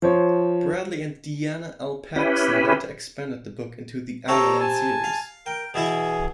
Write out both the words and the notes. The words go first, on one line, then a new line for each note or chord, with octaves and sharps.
Bradley and Diana L. Paxson later expanded the book into the "Avalon" series.
F3 C5 C#5
C#4 E4 G4 B4
C4 D#4 G4 A4 C#5 A#5
G#5 A5
F5
A#4 G5
B2 E3 E4 G#4